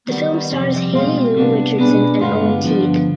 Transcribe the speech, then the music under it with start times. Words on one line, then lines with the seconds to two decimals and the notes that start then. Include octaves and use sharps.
The film stars Haley Lu Richardson and Owen Teague.
0.08 D#3 G3 B3
0.50 F2 C3 G3 C4
0.93 B2 G#3 C4 F4
1.36 C3 G3 B3 D4
1.78 B2 B3 D4 G#4 B4
2.21 G2 D3 G#3 B3 F4
2.63 G2 D3 F3 B3